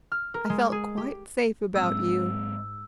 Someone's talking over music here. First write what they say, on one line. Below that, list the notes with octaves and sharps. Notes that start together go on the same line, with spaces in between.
I felt quite safe about you.
F6
A#4
G#3
G#4
G4
G#2 F#3 G#3 C4 E6